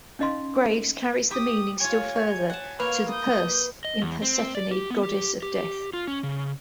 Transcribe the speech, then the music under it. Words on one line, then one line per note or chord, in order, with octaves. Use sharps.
Graves carries the meaning still further, to the "perse-" in Persephone, goddess of death.
C#4 D#4 D#5 F5 C6
G4 D#6
F4 C#5 G#5
C#5
F#5 A5
A#3 B4 C#5 F6
D#6 G6
D#5
E2
C4
D5
G4
B3
G4
G4
F4
C#4
C#3